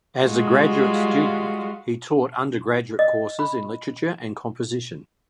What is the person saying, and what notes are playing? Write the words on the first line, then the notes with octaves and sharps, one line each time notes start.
As a graduate student, he taught undergraduate courses in literature and composition.
G3 G#3 F4 F#4
D#5
B5